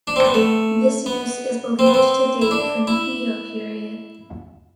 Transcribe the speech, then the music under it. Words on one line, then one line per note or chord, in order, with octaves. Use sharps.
This use is believed to date from the Edo period.
D4
C4
B3
A3
B3
C4
B3
C4
E4
D4
E4